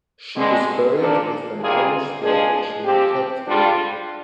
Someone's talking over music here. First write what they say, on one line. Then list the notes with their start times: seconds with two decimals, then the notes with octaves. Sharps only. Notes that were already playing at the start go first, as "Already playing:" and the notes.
She was buried with an Irish flag which she had kept with her.
0.36 G2 D3 G#3
0.98 A#2 F3 A#3 D4
1.60 C3 G3 A#3 F4 G#4
2.22 F3 G#3 D4 G#4
2.84 F3 C4 G4
3.47 D3 G3 D4 F4